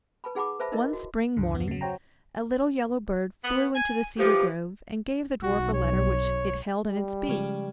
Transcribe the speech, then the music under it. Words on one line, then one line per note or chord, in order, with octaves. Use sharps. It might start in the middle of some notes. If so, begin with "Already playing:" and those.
One spring morning a little yellow bird flew into the cedar grove, and gave the dwarf a letter which it held in its beak.
B4 A5 B5
D#4 G#4 F#5 A5 B5 D6
B4 C5 E5 A5 B5
D#4 E4 A#4 D#5
F#4
C#2 G2 D3
E2 G2 B3
C#3 F#3
F#4 C5 C#5 G5 A#5
B3
G#5
E3 F3 G4
B1 F#4
C#5
G3
C#3 F3 G#3